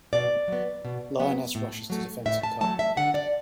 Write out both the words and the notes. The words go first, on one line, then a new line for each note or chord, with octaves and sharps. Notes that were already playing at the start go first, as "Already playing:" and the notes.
Lioness Rushes to Defense of Cub.
B2 D5
F#3 B3
B2
F#3 B3
A2
F#3 A3
A2 E5
A5
F#3 A3 A5
E5
D3 F#5
D5